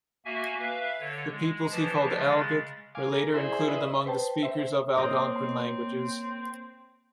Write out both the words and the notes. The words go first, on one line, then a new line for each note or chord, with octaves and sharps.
The peoples he called "Algic" were later included among the speakers of Algonquian languages.
A#3 F#4 E5 G#5
B4 E5 F5
D3 C#5
G#3
E3 F3 A5
C#3 G#3 A6
F5 G#5 D6
A4 A#5
E4 G#4 C5 D5
B4 D#5 E5
B4 C5 G5 A5
C5 E5
A#3 C4 C5 C#5 D#5